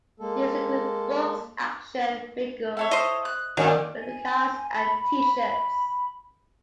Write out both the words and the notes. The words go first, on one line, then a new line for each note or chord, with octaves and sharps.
These include books, action figures, prop replicas and t-shirts.
G#3 A#3 A4
E4 A4 C#5
C5 D#5
F#6
D#3 F#3 D4 F4
G#5
G#5
B5